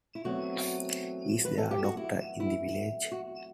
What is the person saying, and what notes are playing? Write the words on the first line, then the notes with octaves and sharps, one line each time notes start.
Is there a doctor in the village?
E4
E2 B2 F#3 A3 C4 F#4
B4
A4
G4
F#4
E4
E4
F#4